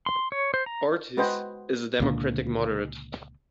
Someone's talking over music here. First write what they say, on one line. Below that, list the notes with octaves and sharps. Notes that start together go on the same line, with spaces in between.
Ortiz is a Democratic moderate.
C6
C#5
C5
A#5
G#3 F#4 B4 C5 D#5 G5
C#2 A#2 D3